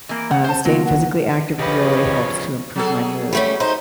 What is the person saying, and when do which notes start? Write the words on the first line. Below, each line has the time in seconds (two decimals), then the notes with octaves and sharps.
um, staying physically active really helps to improve my mood.
0.09 E3 A#3
0.31 F#5
0.44 C5 A5
0.65 C#3 F#3 A#3 B3 F4
0.85 F#5
1.59 C#3 F3 G4 B4 C#5 D#5
2.76 F#3 G#4 A4
3.33 G3 A3 C#4
3.60 D#4 C5 D#5